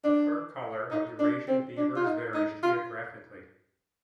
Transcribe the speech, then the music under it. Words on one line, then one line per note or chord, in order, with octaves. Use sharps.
The fur colour of Eurasian beavers varies geographically.
D4
D#4
D4
C4
D4
F4
D#4
D#4
F4